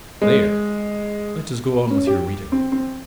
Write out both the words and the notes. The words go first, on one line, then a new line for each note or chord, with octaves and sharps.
There! let us go on with your reading.
G#3
C#4
G4
C4
C4